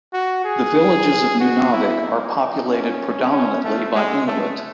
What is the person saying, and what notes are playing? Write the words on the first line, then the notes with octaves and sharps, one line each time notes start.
The villages of Nunavik are populated predominately by Inuit.
F#4
G#4
F#4
E4
D#4
C#4
C#4
A3
G#3
A3